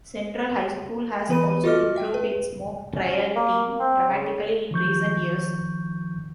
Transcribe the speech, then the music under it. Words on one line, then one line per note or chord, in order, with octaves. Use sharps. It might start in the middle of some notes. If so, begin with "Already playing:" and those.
Central High School has also improved its Mock Trial team dramatically in recent years.
E3 B3 B4 B5 D#7
F4 F#4 A4 D#5 D6 F6
E5 G5
B4
C#4
A#3
C4
C#3
D#3 F3 C#6 G6